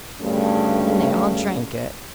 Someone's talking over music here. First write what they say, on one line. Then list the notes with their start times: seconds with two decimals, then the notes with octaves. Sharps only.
And they all drank it.
0.21 D2 G2 C#3 A3